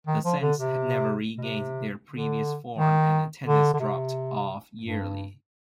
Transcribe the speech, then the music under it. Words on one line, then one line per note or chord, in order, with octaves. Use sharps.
The Cents never regained their previous form and attendance dropped off yearly.
D#3
F3
D3
C3
B2
C3
D3
D#3
D3
D3
C3
G2